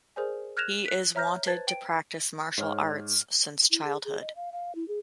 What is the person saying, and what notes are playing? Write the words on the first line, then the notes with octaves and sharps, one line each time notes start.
He is wanted to practice martial arts since childhood.
G#4 A#4 C5 D5 G#5
F6 F#6 G#6 A#6 E7 F7
F#6 B6
C#5 E5 A#5 F6 G6 A#6
B4 C5 A5 G#6 A6
G5 D7
G#2 C#5 F6
E4
G#4
G#4
D#5
F5
F5
E4
G#4